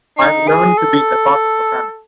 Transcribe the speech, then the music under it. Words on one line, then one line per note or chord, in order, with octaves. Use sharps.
I've learnt to be a part of the family.
D#4
G#4
A4